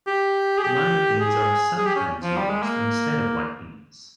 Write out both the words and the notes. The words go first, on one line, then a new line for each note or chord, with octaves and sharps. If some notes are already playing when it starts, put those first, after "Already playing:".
Lima beans are sometimes used instead of white beans.
G4
G#4
G4
G#4
G#4
G4
C#4
F3
G3
G#3
A#3